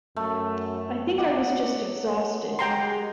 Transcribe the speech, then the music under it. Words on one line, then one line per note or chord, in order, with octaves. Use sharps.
I think I was just exhausted.
F#2 A3
F#3 D#5 F#5 D6
G#3 G4 G5 A#5 C6